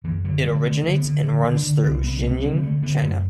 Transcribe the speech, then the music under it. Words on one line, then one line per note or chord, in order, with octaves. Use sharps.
It originates and runs through Xingning, China.
F#2 E3
D3 F#3
D3 G3
D3 A3
D3
B3
D3
D3
D3
D4
D3
C2 C4
C2 B3
C3 A3
F#3
D3 G3
G3
D3 A3
D3 B3
F#2 A3